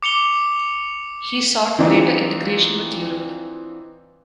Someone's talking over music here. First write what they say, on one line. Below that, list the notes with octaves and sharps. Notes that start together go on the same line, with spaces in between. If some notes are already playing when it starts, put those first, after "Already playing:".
He sought greater integration with Europe.
D6 C#7 F7 G7
E3 C4 D4 D#4 F4